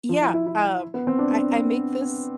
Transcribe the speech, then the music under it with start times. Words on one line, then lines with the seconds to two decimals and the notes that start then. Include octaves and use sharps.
Yeah, um, I I make this
0.09 F3
0.21 E4
0.34 E4
0.46 E4
0.94 B3
1.07 C4
1.19 D4
1.30 D4